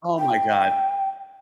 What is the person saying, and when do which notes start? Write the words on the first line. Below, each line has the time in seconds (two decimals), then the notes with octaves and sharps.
Oh my god.
0.19 G5